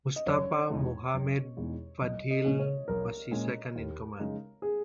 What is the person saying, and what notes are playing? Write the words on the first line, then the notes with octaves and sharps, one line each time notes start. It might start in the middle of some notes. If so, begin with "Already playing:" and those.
Mustafa Mohamed Fadhil was his second-in-command.
D#5
F#1 C#5
E2 B2 G#3 D#4
F#1
E2 B2 G#3 D#4
B1 D#5
D#5
A#2 G#3 C#4 G#4
C#5
B1 A#4
A#2 G#3 C#4 G#4
D#2
C#3 G#3 D#4
G#4